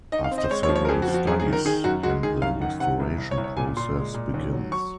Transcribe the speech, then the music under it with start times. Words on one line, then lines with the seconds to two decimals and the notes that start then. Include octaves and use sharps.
After several studies and the restoration process begins.
0.12 D#4 D#5
0.24 F5
0.31 C4
0.38 D#5
0.44 C5
0.50 G#3 C#5
0.63 C#5
0.69 F3
0.76 C#5
0.85 A#4
0.89 F2 G#4
1.02 F#4
1.08 F3
1.14 F#4
1.27 F#2 G#4
1.40 G#4
1.47 D#3
1.53 A#4
1.65 D#3 G#4
1.84 F#2 F#4
2.03 G#3 F#4
2.23 D#3 G#4
2.42 F#2 F5
2.61 D#3 F#5
2.80 C3 F#5
3.00 C2
3.18 C2
3.31 C#5
3.38 C2
3.44 C#5
3.57 A#2 G#5
3.77 A#2 C6
3.96 G#3
4.14 A#2
4.34 D#2
4.53 F#3
4.72 F#3 C#6